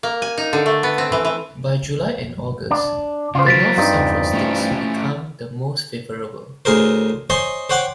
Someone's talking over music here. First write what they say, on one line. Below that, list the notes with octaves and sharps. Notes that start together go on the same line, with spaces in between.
By July and August, the north-central states become the most favorable.
A#3
G#5
D#4
D3
A3
B3
C4
E3
E3
D4
C#3 F4 C5
E3 F#3 A6 B6 D7
G2 C4 D#4
E2
A3 C#4 E4
D2 A2 G#4 A#4 C5
C5 C#5 D#5 G#5 C6
C5 C#5 F#5 G5 D6